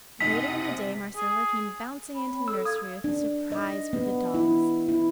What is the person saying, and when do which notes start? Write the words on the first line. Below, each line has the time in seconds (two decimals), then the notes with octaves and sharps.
Later in the day Marcella came bouncing into the nursery with a surprise for the dolls.
0.20 F#2 C3 D#4 D#5 F#5 D#6 B6
1.16 G#4
2.13 C#5 B5
2.27 C4
2.48 A4 E6
2.65 F5 D#6 G#6
3.04 D4
3.52 D#5
3.93 B3
4.34 E4
4.89 E4